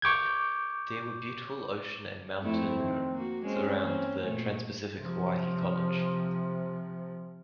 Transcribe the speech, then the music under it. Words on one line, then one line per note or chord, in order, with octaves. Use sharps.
There were beautiful ocean and mountains around TransPacific Hawaii College.
C#6 D6 G6 G#6
F2 A3 C4 E4
D#3
A#3 F#4
G#3 C4 C#4
E3 A#3 C4
A#2 A3
C3 F3